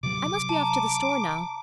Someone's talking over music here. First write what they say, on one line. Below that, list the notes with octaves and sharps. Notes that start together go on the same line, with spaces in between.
I must be off to the store now.
C3 F#3 D6
A5 A#5